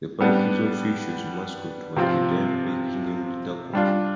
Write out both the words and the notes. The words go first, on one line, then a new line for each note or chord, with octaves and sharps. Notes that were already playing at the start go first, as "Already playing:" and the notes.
The Pike's official mascot was a giant Pike named Tackle.
G3 B3 D4
C3 F3 C4 F4
G3 D4 F4